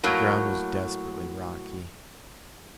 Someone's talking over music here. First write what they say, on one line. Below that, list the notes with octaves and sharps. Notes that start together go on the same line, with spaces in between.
The ground was desperately rocky.
A2 F#3 A#3